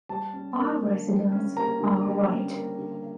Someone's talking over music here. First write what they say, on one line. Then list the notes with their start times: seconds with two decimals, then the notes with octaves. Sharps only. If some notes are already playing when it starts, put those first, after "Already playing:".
All residents are white.
0.09 G3 A5
0.33 C#4
0.58 A#3
0.83 D3
1.07 G3
1.32 C#4
1.57 A#3 A#5
1.81 D3
2.05 G3
2.30 C#4
2.54 A#3
2.78 D3